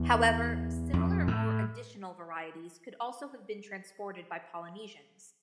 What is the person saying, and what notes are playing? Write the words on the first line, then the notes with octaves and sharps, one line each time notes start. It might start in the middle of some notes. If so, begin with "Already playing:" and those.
However, similar or additional varieties could also have been transported by Polynesians.
Already playing: E2
F2
A2